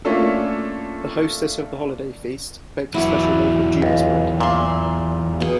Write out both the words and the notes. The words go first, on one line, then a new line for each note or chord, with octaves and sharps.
The hostess of the holiday feast baked a special loaf of Jumis bread.
A3 A#3 C#4 D4 F4 A4
E2 F#3 E4 F#4 D5
C#2
A#2 E5 C6
B2 G#4